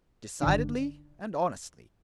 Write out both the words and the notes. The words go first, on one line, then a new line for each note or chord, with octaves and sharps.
"Decidedly and honestly."
G1 D3 D#3 D4